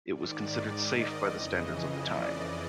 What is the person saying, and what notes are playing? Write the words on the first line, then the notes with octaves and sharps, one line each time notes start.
It was considered safe by the standards of the time.
G#2 D#3 D5
D#5
F2 C#3 E3
D5